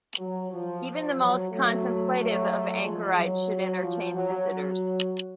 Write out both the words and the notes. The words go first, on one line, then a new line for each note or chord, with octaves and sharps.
Even the most contemplative of anchorites should entertain visitors.
F#3
F3
F#3
F#3 A3
F#3 A3
F3 G#3
F#3
F3
F#3
F#3